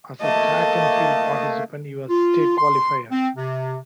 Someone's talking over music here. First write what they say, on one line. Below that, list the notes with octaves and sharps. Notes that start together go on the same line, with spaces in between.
As a track and field participant, he was state qualifier.
A3 A#3 D#5 A5
F4
C6
C4
C3